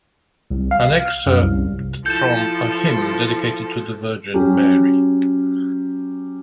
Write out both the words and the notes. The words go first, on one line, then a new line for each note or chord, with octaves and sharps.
An excerpt from a hymn dedicated to the Virgin Mary.
C2
F5
F6
F#2
C2
F3 E4 A4 G6 E7
F#3 C#4 G4